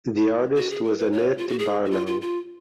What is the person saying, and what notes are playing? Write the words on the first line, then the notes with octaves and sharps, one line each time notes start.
The artist was Annette Barlow.
F#4
G#4
A#4
B4
C#5
F4
F#4
G#4
F#4
F4
F4
F4